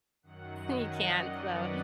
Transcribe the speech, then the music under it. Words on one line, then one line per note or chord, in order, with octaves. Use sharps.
and you can't, so,
F#2 D#3 F#3 F#5
D#5
D5
B4